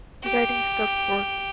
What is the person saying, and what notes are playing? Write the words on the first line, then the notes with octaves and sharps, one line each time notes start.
He died in Stockport.
G4